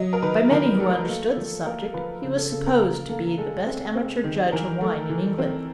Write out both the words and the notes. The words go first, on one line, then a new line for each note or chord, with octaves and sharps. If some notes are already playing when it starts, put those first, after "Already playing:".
By many who understood the subject he was supposed to be the best amateur judge of wine in England.
Already playing: F#3 D#5
A#4
D#3 B4
D#3 A#4
A3 A4
A#3
F3
A#3 A#4
F3 B4
C#3
A4
C#3 A4
A#4
A#3 A#4
A#3 A4
G#3 A4
C4
C4
D#3
E3 A#4
A3
E3
C4